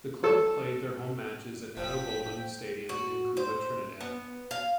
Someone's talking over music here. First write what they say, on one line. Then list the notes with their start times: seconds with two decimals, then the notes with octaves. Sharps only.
The club played their home matches in Ato Boldon Stadium, in Couva, Trinidad.
0.24 A4
1.77 F1 F3 G5 B6
2.89 F#4
3.37 C5
4.01 B3
4.51 F5